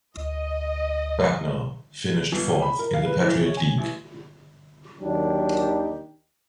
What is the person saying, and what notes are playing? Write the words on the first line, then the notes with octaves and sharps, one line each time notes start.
Bucknell finished fourth in the Patriot League.
D2 D#5
G1
G4
B5
A#4
F5
B4
E3
F1
C#5
G#5
A1
D#2 D#3 F#3 D4 D#4 G4